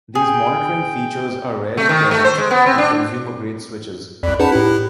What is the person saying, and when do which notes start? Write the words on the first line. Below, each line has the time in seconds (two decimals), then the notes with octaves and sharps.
These monitoring features are rarely present on consumer-grade switches.
0.15 G#4 G5
1.77 A3
1.89 D#3
2.11 A3
2.25 C5
2.38 G#3
2.51 B3
2.66 C4
2.78 D4
4.23 C2 F2 D5 B5 F#6
4.40 C#4 D#4 G#4 B4 F#5 A5
4.52 A2 E4 G4